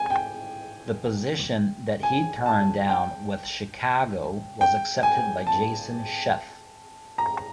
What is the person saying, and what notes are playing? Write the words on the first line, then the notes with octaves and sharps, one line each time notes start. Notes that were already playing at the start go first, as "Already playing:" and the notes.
The position that he turned down with Chicago was accepted by Jason Scheff.
Already playing: G#5
G5
G#5
A5
G5
G5
G#5
A5
A#5